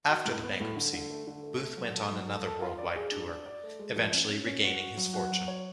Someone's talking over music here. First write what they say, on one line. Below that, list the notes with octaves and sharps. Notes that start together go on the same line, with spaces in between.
After the bankruptcy, Booth went on another worldwide tour, eventually regaining his fortune.
F#4
A2
B3
A2
D3
D3
A3
D3
A3
A3
F#3
A4
F#3
A4
A4
F4
D5
G#4
D4
D5
D5
A3
G#3
F3
C#4
C#4
C#4
F#4
F#4
F#3
F#4
F#3
C#5